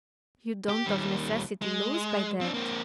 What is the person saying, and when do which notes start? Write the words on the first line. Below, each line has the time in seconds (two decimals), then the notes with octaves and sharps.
"You don't of necessity lose by that."
0.69 G4
0.86 D#2 G3
1.62 G#3
2.41 C4 D4
2.54 A#3 C4